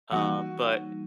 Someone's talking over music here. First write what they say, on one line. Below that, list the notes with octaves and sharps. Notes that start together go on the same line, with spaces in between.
Uh, but
E3 G3 A#3 D#4 F#4